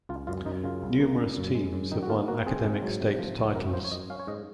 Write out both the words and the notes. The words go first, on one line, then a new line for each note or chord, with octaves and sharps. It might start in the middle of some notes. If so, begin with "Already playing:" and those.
Numerous teams have won academic state titles.
C#2 F4
F#2 F4
F#2 D#4
C#3 F4
C2
A#3
A#2
F#2
G#3
F#2
D#3 D#4
F#4
A#3 F4
A#3 F#4
C4 G#4
G#2
F#3
C3
F3
C2
F#2 A#4
F3 C5
C#5
F#2 D#5
C#4 F5
C#5
G#2 D#5